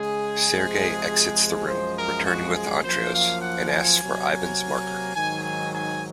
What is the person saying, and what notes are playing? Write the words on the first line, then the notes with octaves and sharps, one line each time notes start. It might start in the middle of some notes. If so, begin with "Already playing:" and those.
Serge exits the room, returning with the Antrios, and asks for Yvan's marker.
Already playing: C#3 G#3 G#4
C3 F3 G#3
F#2 F3 G#3 C5
A#4
F#4
G#4
F#2 F3 A#3 C5
F5
F#5
G#5
C3 F#3 A#3
G#2 D#3 F#3 G#5
G#5
G#5